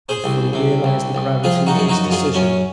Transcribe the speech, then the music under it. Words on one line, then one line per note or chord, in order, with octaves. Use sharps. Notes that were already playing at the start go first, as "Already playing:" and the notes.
I fully realise the gravity of this decision.
G#4 C5
C2
C3
C2
C2
F3 F4 G#4
D#4 F#4
F#2 G#4
D#4 F#4
F#2
F4 G#4
F#2 C#4